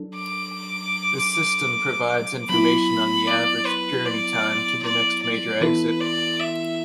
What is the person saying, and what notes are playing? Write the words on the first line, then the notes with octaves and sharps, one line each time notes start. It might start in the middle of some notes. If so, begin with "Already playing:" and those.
This system provides information on the average journey time to the next major exit.
Already playing: F#3 D4 A4
D6
F#3 B3 E4 B5
D5
B4
D5
D5
D5
E3 B3 E4 A4 B4
D5
E5